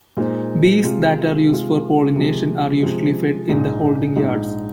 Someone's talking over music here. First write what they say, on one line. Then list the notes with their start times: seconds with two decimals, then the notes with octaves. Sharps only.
Bees that are used for pollination are usually fed in the holding yards.
0.17 A#2 G#3 D#4 C5
0.83 C3 G#3 F4
1.49 C3 G#3 F4
2.16 C3 F3 G#3
2.82 C3 F3 G#3
3.49 A#1 G#2 G#3 D#4
4.16 A#1 G#2 G#3 D#4